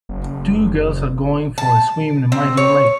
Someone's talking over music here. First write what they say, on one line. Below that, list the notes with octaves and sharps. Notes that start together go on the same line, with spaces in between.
Two girls are going for a swim in a mountain lake.
F#1
A5
C4
C#5